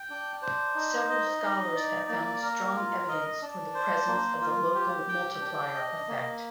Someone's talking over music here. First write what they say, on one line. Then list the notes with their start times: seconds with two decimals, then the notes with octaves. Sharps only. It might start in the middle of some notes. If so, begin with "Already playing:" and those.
Several scholars have found strong evidence for the presence of the local multiplier effect.
Already playing: G5
0.10 D4
0.42 C5
0.75 D#4
1.09 D#5
1.43 D#4
1.75 D5
2.09 A#3
2.42 A#4
2.76 F4
3.08 D#5
3.42 D4
3.74 C5
4.08 A#3
4.41 F4
4.75 G4
5.09 G5
5.41 D4
5.74 D#5
6.08 A#3